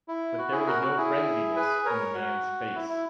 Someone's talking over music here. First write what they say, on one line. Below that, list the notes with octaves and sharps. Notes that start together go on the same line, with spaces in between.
But there was no friendliness in the man's face.
E4
F#4
E4 G#4
F#4 A#4
F#4
E4 G#4
G#4 B4
A#4 C#5
F#4
E4
E4